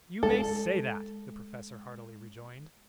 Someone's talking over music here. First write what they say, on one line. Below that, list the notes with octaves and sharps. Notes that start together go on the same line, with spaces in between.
"You may say that!" the Professor heartily rejoined.
G#3 A4